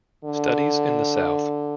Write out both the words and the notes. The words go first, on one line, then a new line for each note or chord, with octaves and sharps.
Studies in the South.
D3